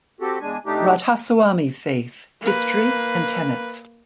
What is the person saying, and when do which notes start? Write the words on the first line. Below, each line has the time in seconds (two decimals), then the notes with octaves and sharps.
"Radhasoami Faith - History and Tenets".
0.21 C4 F#4 G4 A4
0.41 E2 G#3 D4 G#5
0.66 C3 A3 D4 D#4 G4
2.41 A#3 B4